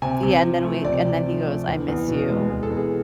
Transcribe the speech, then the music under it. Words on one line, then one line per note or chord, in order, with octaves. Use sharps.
yeah, and then we and then he goes, "I miss you,
C3 G#5
C3
F3
A3
C3 D5
C3
F3
A3
E2
E2
B2
G#3
E2 G#4
A4
E2
G#4